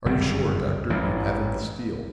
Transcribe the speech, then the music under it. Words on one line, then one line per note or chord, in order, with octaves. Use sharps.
"Are you sure, Doctor, you haven't the steel?"
G1 F#2 C#3 G3
A1 G2 E3